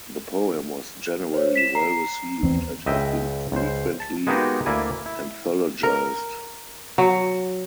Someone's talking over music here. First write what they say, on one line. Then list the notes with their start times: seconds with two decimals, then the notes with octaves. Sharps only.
The poem was generally well received and has been frequently anthologized.
1.34 C5 C#5
1.56 B6 E7
1.75 A#5 C7
2.43 E2 C4
2.86 C#2 D#5 E5 G5
3.52 C#2 C5
4.00 A5
4.27 G#3 A#3 B3 D#4 F#4 G4
4.66 D2 A#3 E4 D5 G#5
5.06 E4
5.83 A#4
6.98 F#3